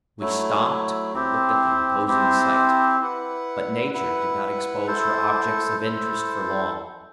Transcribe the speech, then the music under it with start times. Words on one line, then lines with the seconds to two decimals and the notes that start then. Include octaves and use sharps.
We stopped and looked at the imposing sight, but Nature did not expose her objects of interest for long.
0.20 F#3 A3 E4
1.14 C4 E4 G4 C5
2.07 C4 E4 G4 C5
3.01 E4 B4 F#5
3.94 E4 B4 F#5
4.87 E4 A4 C5
5.80 E4 A4 C5